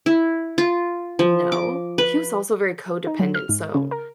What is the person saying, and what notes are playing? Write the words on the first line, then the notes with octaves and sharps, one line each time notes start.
know. He was also very codependent, so,
E4
F4
F3
D6
B4
D#4
F#3
F6
G#2
C#3
A#4